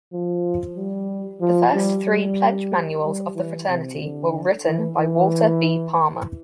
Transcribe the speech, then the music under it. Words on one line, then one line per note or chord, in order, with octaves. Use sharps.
The first three pledge manuals of the fraternity were written by Walter B. Palmer.
F3
G3
F3
G3
G3
G3
E3
C3
D3
E3
E3